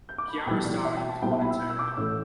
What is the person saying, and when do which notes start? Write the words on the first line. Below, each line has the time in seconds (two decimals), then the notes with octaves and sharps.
Kiarostami was born in Tehran.
0.09 G6
0.18 D6
0.28 B5
0.38 A5
0.47 B1 A2 E3 G3 G5
0.65 D5
0.85 E5
0.97 G5
1.09 A5
1.22 B1 B2 G3 E4 G5
1.31 E5
1.42 B5
1.50 E6
1.60 G6
1.70 E6
1.79 D6
1.87 G6
1.97 A1 A2 A3 E6